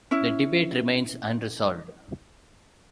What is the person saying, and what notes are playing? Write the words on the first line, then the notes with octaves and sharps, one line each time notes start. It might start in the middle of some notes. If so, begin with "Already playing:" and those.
The debate remains unresolved.
C#4 E4